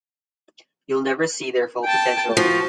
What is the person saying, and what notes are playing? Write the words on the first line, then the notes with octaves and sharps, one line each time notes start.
You'll never see their full potential.
G5 A5
F3 F#4